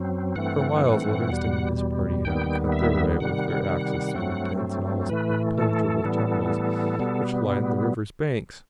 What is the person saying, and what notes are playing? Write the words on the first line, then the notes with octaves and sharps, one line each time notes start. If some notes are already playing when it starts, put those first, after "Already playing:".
For miles Livingstone and his party had to cut their way with their axes through the dense and almost impenetrable jungles which lined the river's banks.
Already playing: F#2 F#3 C4
G2 E3 A3 C4 F#5
E2 B2 G3
D#2 D#3 G3 B3 G5
E5
C3 D#3 G3 F#5
G2 F#3 A3 C4
A2 E3 A3 B4
A4
A2 E3 G3 B3
B2 G3 B3